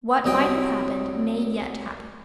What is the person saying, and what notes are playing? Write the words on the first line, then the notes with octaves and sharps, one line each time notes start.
What might have happened may yet happen.
C2 F#3 D#5 G5